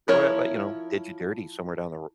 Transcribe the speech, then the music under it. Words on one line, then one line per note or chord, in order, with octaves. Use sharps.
l l, you know, did you dirty somewhere down the ro
F3 E4 A#4 C#5